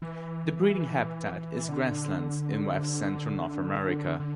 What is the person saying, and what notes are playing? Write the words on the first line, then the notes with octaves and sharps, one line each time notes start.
The breeding habitat is grasslands in west-central North America.
E3
D3
D3